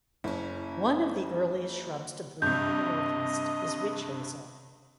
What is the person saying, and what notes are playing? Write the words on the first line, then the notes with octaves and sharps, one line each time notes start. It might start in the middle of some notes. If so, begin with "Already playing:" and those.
One of the earliest shrubs to bloom in the Northeast is witch hazel.
F#1 C#4 E4
G2 C3 D#5 G6